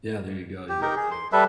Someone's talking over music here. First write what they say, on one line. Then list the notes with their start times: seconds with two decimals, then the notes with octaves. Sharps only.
Yeah, there you go. You got the,
0.69 G4
0.82 D#4 G4 A#4
0.96 G#4
1.11 C6
1.32 G3 A4 B4 E5